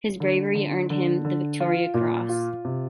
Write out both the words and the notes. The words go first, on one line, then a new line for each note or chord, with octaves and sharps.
His bravery earned him the Victoria Cross.
D3
D3
D3
D3
F4
A#2
F4
C3